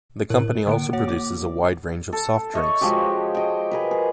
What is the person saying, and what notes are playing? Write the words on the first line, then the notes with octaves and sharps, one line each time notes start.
The company also produces a wide range of soft drinks.
A2 A#4
D3 A#3 D7
A#3 F#4 C#5 F#5
D6
A4
C#5 D#5 E5
F3 G#3 F#4 G4
D#5 G5
G#4 A#4 B4
G#4